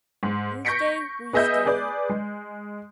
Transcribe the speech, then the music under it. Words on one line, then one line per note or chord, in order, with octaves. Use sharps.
You stay, we stay.
G#2
C#6 G6 A#6 B6 C#7 D7
B3 G#4 D#5 E5 G6
G#4 B4 D5
G#3